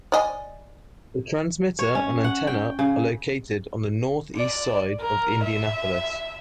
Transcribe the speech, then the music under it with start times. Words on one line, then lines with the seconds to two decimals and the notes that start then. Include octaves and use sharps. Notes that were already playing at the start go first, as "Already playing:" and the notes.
The transmitter and antenna are located on the Northeast side of Indianapolis.
0.12 D5 D#5 G#5
1.79 C#5
1.95 C#4
2.24 F#5
2.47 G5
2.79 C#3
4.36 D5
5.01 A#4
5.45 E5